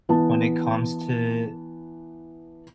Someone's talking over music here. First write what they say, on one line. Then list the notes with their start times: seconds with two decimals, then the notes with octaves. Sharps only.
when it comes to
0.09 E3 B3 A5